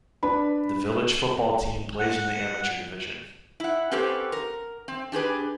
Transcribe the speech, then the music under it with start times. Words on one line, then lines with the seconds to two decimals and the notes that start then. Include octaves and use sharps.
The village football team plays in the amateur division.
0.23 D4 B4 B5
1.99 F#5
3.60 E4 F#5
3.91 C4 C#4 G4 A4 B4 C5
4.32 A#4
4.88 C4
5.12 D4 G4 G#4 B4